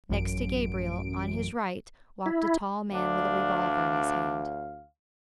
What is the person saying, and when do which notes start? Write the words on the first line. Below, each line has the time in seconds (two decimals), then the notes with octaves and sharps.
Next to Gabriel, on his right, walked a tall man with a revolver in his hand.
0.10 A1 F#2 D7
2.26 E4
2.93 D2 D4 F5